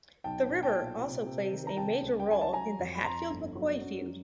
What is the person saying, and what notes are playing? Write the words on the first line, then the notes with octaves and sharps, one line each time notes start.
The river also plays a major role in the Hatfield-McCoy feud.
B1 G5 A5
B1
G5 A5
A#2
C3
C3
D#3
A#5
C3 G5 A5
C#2
G5
C#2 G#5
A5
F#3 G#5 A#5
F2
B5
F2 A#5 C6
G1
F#3
F#2